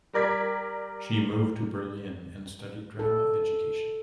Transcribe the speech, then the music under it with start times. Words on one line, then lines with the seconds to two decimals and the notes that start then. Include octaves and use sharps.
She moved to Berlin and studied drama education.
0.13 G3 A#4 D5 G#6 B6
2.99 A4